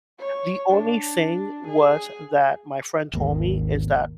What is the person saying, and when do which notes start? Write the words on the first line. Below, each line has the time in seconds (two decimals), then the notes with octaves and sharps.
the only thing was that my friend told me is that
0.19 C#5
0.70 D4
1.67 G#4
3.13 G#1 D#2 A#3